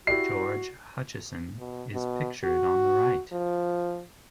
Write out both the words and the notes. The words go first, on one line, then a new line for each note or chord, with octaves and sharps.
George Hutcheson is pictured on the right.
E4 F#4 G4 D5 C7
B2
B2
F#4
F3